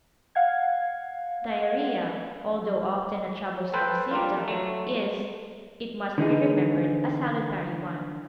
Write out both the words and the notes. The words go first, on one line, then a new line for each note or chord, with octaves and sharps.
Diarrhoea, although often a troublesome symptom, is, it must be remembered, a salutary one.
F5 F#5 G#6
A4 B4 C5 G5
G3 A#3 D4 F4
F#3 A3
D3 E3 D#4 G#4